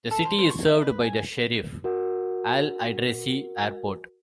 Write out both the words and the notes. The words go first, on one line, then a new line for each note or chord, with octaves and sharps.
The city is served by the Cherif Al Idrissi Airport.
A4
C5
C5
C#6
E5
B4
G#5
F#4 A#4 F#5